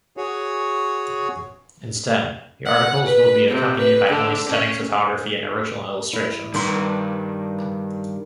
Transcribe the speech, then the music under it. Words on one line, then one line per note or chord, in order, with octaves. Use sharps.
Instead, the articles will be accompanied only by stunning photography and original illustrations.
F#4 G#4 C#5
F#5
B4
C3
B4
D3
C#4
E4
G2 D#3 C6